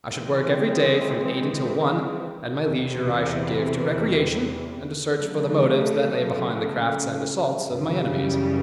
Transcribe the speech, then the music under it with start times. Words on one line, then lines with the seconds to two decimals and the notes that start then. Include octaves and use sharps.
I should work every day from eight until one, and my leisure I should give to recreation and a search for the motives that lay behind the crafts and assaults of my enemies.
0.12 E3 G#3 C4
2.64 E2 C3 E3
5.15 C#3 F#3 A3
7.67 F#2 C#3 E3 G3